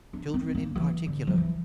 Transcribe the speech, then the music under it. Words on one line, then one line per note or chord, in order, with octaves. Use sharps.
"Children in particular."
D4
C4
A#3
E3
D3
F3
E3